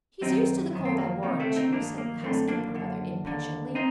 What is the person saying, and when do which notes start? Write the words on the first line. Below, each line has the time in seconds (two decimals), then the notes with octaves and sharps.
"He's used to the cold, I warrant you," said the housekeeper rather impatiently.
0.21 F#2 D#3 C4 D#4
0.73 F#2 D#3
0.85 C4
0.98 A#3
1.23 D2 C3 D#3 A#3
1.40 A3 C4
1.56 C4 D#4
1.73 G2 D#3 A#3 D4
1.98 A#3
2.23 F#2 D3 A3 C4
2.48 A#3 D4
2.75 F#2 D3
3.25 D#2 D3
3.75 C4 D#4